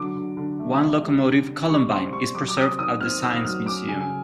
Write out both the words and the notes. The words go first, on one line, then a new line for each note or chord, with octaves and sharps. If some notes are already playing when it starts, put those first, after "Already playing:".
One locomotive, "Columbine", is preserved at the Science Museum.
Already playing: D3 F#3 D6
D3
D3
A3
D3
G3
D3
D3
G3 C#6
C4 C6
G3 C#6
F#3 D6
D6
C4 D#6
D#3 D#6
C4 F6
D#3 E6
F#3 F6
C#4 D6
C#3 G#5
G#5